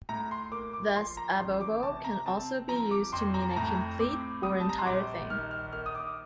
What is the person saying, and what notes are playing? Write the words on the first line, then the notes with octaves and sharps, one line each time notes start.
Thus "ab ovo" can also be used to mean a complete or entire thing.
A2 A#5
C6
A#3 D6
D6
F3 C6
A#5
A1 C6
D6
C3 A5
A#5
C4 A5
F3 A#5
D6
F2 C6
A#5
A5
A2 A#5
C4 D6
G3 D#6
A5
A#5
C6
A#1 D6
D#3 F6
F6
A#3 F6
D#6
D6